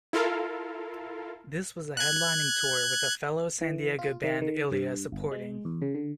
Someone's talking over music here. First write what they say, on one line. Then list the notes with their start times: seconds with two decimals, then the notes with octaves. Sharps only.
This was a headlining tour with fellow San Diego band, Ilya supporting.
0.13 E4 F4 A4 A#4 F5
1.97 F#6 G#6
3.61 E3
3.99 F4
4.24 D#3
4.41 D#3
4.71 G2
5.12 G1
5.32 G#3
5.65 E2
5.82 C#3
5.95 D3